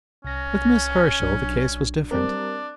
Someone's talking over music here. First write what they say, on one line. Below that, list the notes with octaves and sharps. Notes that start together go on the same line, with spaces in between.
With Miss Herschel the case was different.
C2 C#4 A#6
B1 F#3 D4
G3 C4 D4 A#4